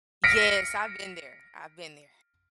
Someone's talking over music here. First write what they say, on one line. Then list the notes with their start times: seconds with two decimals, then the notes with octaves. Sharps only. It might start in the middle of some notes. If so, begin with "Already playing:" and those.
Yes, I've been there. I've been there.
0.24 F6 A#6 B6 C#7 D7